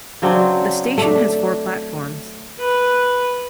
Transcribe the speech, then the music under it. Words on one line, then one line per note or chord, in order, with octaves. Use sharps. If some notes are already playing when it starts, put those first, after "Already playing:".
The station has four platforms.
C#3 F#3 C4 D4
A3 D4
B4